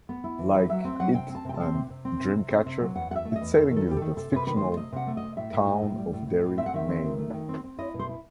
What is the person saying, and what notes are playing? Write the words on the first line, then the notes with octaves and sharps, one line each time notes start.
Like "It" and "Dreamcatcher", its setting is the fictional town of Derry, Maine.
B3
E4
E3
F#3 B4
F#3 E5
C4 E5
F#3 F#5
C3 G5
C4
A5
C3 G5
A5
C4
C3
C3
C4
C3
C3
C4
C3
F#3
E2 F#5
E2 E5 F#5
A3
D#5
E2
E2 A4
D#3
A4
E2 G4
A4
D#3
C3 A4
C3 B4
D#3 B4
A3 C5
C5
C3 D#5
C3 F#5
A3
D#5
C3
A2 E5
A2
D#4
A2
G3
A2
A2
A2
C4 E5
F#5
D#3 E5
C4
D#3
A3
D#3
C4
C4
E4 D#5
B2
C5
E4